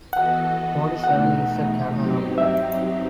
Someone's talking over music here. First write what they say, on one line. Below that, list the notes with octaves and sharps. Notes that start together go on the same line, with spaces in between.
Forty-seven is a Carol number.
E3 B3 F#4 A4 D#5 F#5
E2 B2 A3 D#4 F#5
G2 F#3 C4 D#4 G4
E5